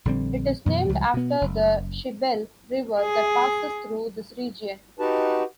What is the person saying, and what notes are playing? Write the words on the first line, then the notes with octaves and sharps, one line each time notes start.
It is named after the Shebelle River that passes through this region.
A#1 D3 G3 C4
F#2 B2 E3
C#2 F3 G3
B2 B3
F#1
G#4
D#4 F#4 G4 B4 A5